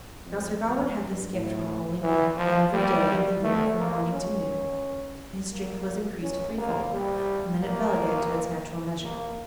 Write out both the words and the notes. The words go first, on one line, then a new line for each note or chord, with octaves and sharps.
Now Sir Gawain had this gift from a holy man, that every day in the year, from morning to noon, his strength was increased threefold, and then it fell again to its natural measure.
F2
F2
G2
A2
E3
F3
G3
A3
A#3
C#4
A#3
C#4
A#3
G3
A#3
A#3